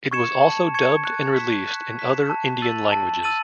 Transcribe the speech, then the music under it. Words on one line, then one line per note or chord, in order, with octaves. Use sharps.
It was also dubbed and released in other Indian languages.
C#6 G#6 C#7 E7
A5
C#6 G#6 C#7 E7
F#6
B6 E7
F#6
B6 E7
A5
E6 A6 D#7 F#7
A5
E6 A6 D#7 F#7